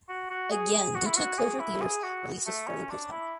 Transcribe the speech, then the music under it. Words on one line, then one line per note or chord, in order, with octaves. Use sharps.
Again due to closure of theaters release was further postponed.
F#4
F#4
G#4
G#4
F#4
E4
F#4
G#4
E4
G#4
F#4
A3
C#4
D4
E4